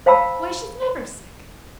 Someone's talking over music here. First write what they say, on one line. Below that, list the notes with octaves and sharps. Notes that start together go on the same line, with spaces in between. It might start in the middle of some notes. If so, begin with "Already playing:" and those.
Why, she's never sick!
C5 F5 G5 A5 B5 E6